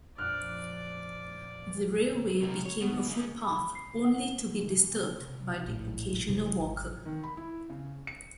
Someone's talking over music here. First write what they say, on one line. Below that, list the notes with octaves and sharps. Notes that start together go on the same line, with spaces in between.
The railway became a footpath, only to be disturbed by the occasional walker.
F2 A#2 D4 D5 F6 F#6
C3 A#4
C#5
B2
G#3 C#4
B5
C7
F#5
A#1 A2
F1 B1 C3 E3
G#1
D#3
B5
E4
C#3
C#7